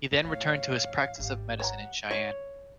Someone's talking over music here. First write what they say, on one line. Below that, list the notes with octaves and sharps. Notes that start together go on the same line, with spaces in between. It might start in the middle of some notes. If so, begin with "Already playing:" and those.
He then returned to his practice of medicine in Cheyenne.
E2 A2 C#5 F5
G#1 G3
C#5 F#5 G#5 A#5
C#5